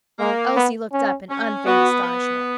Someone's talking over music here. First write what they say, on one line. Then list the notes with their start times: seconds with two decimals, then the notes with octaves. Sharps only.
Elsie looked up in unfeigned astonishment.
0.19 G#3 A#3
0.56 B3
0.93 C#4
1.29 C#4
1.66 B3 F#4
2.03 B3